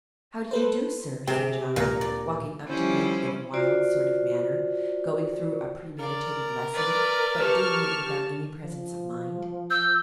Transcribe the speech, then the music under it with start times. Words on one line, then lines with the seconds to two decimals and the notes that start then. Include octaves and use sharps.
"How do you do, sir?" said Johnny, walking up to him in a wild sort of manner,--going through a premeditated lesson, but doing it without any presence of mind.
0.51 A4 B4 C5
1.27 C3 G4 G#4
1.76 D2 A#2 A#5
2.01 D5
2.69 F3 G3 C#4 E4 C5
3.54 F4 F#4 C5 D5
5.99 A#4 D5
6.74 B4 D5
7.40 G4 B4 A5 C#6 F6
8.63 F3
9.70 E6 G6